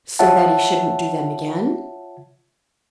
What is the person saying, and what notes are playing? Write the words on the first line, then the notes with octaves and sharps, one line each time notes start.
"So that he shouldn't do them again?"
F4 C#5 E5 F#5 A5